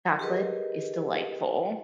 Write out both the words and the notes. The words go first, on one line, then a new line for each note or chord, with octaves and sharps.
Chocolate is delightful.
G4 G#4 A#4 B4 D#5